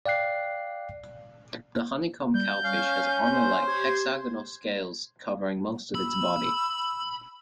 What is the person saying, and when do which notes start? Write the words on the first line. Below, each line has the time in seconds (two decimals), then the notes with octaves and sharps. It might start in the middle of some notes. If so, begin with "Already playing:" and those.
The honeycomb cowfish has armor-like, hexagonal scales covering most of its body.
0.06 D5 F5 G5 F#6 C7
2.34 G3 G6
2.64 C#4 F5
3.03 G#5
3.32 C5
3.67 G4 G#6
5.95 B5 E6